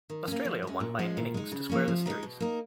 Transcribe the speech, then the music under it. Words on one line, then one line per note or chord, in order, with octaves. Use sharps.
Australia won by an innings to square the series.
D#3
A#3 C#4
F3
G#3 C#4
A#2
F3 G#3 C#4
A#2
G#3 D#4
C#3
F3 A#3 C#4
F3
G#3 B3 D#4
B2
A#3 D#4